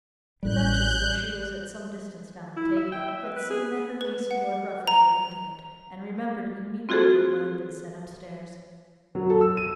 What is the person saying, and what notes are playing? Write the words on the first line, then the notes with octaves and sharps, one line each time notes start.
The Duchess, though she was at some distance down the table, had seen that her niece and Lord Rufford were intimate, and remembered immediately what had been said up-stairs.
A1 G3 F#6 G6
E4
E5
G5
E5
B3
B4
G#4
B4
F#5
A#5
C4 F4 F#4 G#4 A4 C5
F#3
A4
E6
D#7